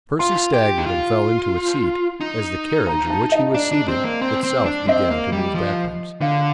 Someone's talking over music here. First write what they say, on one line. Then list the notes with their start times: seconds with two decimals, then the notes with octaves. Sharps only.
Percy staggered and fell into a seat, as the carriage in which he was seated itself began to move backwards.
0.19 F4 C6
0.53 G4
0.78 D#4
0.87 F4
2.21 D#4
2.87 A#5
3.10 A5
3.32 D#5
3.54 D4 D5
3.71 D4
3.88 C4
4.04 A#3
4.22 C4
4.43 C4
4.65 D4
4.88 C4 D#5
5.10 A#3
5.32 G3
5.54 F3
6.21 D3 F5